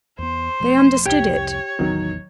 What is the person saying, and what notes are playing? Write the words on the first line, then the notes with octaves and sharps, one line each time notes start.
They understood it.
E2 B3 C5
E1 F3 A3
C2 F2 G4 C#5 D7 G7
A1 E2 D#3 F#3